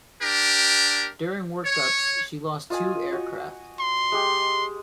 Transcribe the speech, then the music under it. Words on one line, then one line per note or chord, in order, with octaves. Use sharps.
During workups she lost two aircraft.
D4 G4 A#4
C#5
F4 D#5 G#5
F#4
C6
G#3 G4